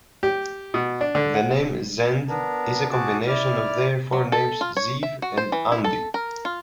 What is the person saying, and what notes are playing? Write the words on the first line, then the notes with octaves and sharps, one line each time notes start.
The name Zend is a combination of their forenames, Zeev and Andi.
G4
B2
D4
D3
F#5
B3 D4 A#4
F#4 G#4 A5 D6
E4 D5 F6
F#3
A4
F4
C#5
E5
F#4
C5
E3
E4
A4
A#4
F4